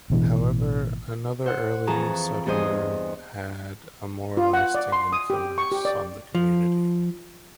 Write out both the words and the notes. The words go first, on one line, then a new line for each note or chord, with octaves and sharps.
However, another early settler had a more lasting influence on the community.
A1 B2 E3
C5 F#5
F2 E3 G#4 A5 A#5 C#6
E2 G2 G#4 C5 D#5 D#6
F4
F#5
D5
C6
D#6
G4
C#6
G4
D5
F3